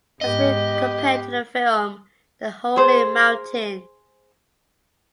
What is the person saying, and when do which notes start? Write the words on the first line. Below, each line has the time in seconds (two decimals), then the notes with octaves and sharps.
It has been compared to the film "The Holy Mountain".
0.21 G#2 B3 G4 D#5
2.76 G#4 C5